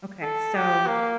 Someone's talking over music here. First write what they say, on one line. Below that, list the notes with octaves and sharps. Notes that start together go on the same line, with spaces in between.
Okay, so
A4
G4
A#3